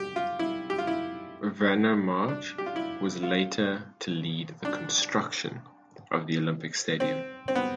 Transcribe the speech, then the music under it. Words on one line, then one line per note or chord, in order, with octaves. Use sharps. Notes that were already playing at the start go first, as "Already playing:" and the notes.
Werner March was later to lead the construction of the Olympic Stadium.
Already playing: G4
F4
E4
G4
F4
E4
D4
G4
F4
E4
F4
D4
C4
C4
B3